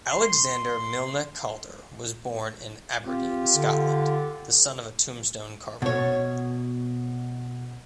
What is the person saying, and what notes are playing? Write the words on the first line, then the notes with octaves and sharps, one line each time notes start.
Alexander Milne Calder was born in Aberdeen, Scotland, the son of a tombstone carver.
C6
C4 F4 G4
D3
B2 C#5